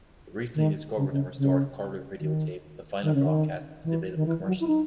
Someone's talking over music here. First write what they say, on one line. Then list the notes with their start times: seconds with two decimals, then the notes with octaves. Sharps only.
The recently discovered and restored color videotape of the final broadcast is available commercially.
0.54 D#3
0.96 C#3
1.11 C#3
1.37 C#3
2.19 D#3
3.02 D#3
3.14 C#3
3.25 D#3
3.83 E3
4.15 D#3
4.25 E3
4.46 F#3
4.60 E4
4.67 D#4